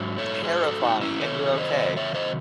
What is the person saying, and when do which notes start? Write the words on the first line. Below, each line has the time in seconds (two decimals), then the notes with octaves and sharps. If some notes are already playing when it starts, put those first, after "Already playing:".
terrifying, and you're okay?
Already playing: G#2 F#3
0.18 A4 C#5
0.43 G#4 C5
0.62 F#4 A4
0.81 D#4 F#4
1.01 C#4 E4
1.19 C3 D#3 F#3 A4 C#5
1.57 C5 D#5
1.97 C#5 E5
2.15 C5 D#5